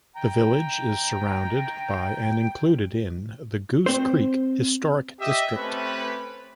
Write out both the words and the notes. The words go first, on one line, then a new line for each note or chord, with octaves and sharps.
The village is surrounded by and included in the Goose Creek Historic District.
G5 A#5
C4 C5
G4 D#5 E5
A3 C4 C#4 G4 A4 B4